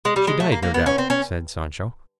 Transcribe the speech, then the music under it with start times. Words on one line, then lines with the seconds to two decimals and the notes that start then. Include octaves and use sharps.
"She died, no doubt," said Sancho.
0.05 G#3
0.16 G3
0.27 G#3
0.40 A3
0.52 A#3
0.62 A#3
0.74 B3
0.86 C#4
0.98 C4
1.10 C#4